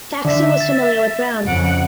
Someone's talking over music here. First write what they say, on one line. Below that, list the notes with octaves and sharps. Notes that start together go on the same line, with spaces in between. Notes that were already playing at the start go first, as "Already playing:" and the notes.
Thaxton was familiar with Brown.
D3 E5
A6
F2 C#3 F#5 D7